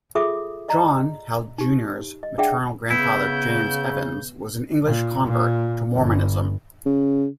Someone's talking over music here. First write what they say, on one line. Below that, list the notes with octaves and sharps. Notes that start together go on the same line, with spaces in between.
John Held Jr.'s maternal grandfather, James Evans, was an English convert to Mormonism.
F4 G#4 A4 E5 D6 D#6
D5 D#5 A#5
D#4 G4
D#5
D4 G#4 D5 E5 F#5 G5
C#3 B3 E4 G6
A#2
A#2
G1
C#3